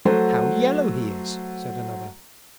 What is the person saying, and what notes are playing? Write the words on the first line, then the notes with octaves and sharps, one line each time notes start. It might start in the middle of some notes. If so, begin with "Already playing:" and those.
'How yellow he is!' said another.
F#3 A3 A4 C5 F#5